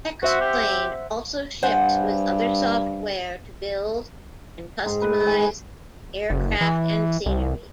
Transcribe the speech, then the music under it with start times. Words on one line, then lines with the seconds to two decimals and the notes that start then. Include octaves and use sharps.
"X-Plane" also ships with other software to build and customize aircraft and scenery.
0.23 F#4 C5 E5 F#5
0.41 G4
1.63 G2 C5 F#5 G#5
4.86 G#2
5.02 B4
5.27 G#5
6.30 F#1
6.61 E3
7.26 C2